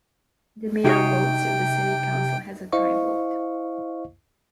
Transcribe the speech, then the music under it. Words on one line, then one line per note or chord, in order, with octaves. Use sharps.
The mayor votes if the city council has a tie vote.
C3 D#4 F#4 G#4 C#5 G5
E4 C5 D#5 F5 C#6